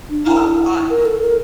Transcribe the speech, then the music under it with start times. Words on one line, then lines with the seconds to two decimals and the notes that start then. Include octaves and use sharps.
Oh god!
0.10 D4
0.26 E4
0.90 A#4
1.05 A4
1.21 A#4